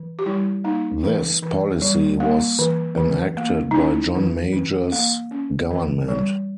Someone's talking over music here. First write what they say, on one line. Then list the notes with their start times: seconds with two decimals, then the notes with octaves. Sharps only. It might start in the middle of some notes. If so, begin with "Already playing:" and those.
This policy was enacted by John Major's government.
Already playing: E3
0.19 G4
0.26 G3 E4
0.64 A#3 D#4
1.04 E3
1.43 E3
1.82 G3
2.20 A#3
2.59 E3
2.98 E3
3.37 A#3
3.71 D#4
3.76 C#4 E4
4.15 E3
4.53 E3
4.92 A#3
5.31 C#4
5.70 E3
6.08 G3